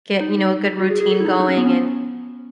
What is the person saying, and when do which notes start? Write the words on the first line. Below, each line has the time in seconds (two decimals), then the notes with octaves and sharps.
get, you know, a good routine going and
0.20 D#4
0.80 F#4
0.90 G#4
1.00 G#4
1.11 A4
1.20 E4
1.25 D#4
1.40 D#4
1.49 C#4
1.57 B3
1.66 C#4